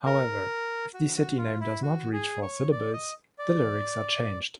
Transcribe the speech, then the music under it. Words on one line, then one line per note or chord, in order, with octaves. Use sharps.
However, if the city name does not reach four syllables, the lyrics are changed.
A#4
F#4
F#4
F4
E4
F#4
G#4
C#5
D5
D#5
D5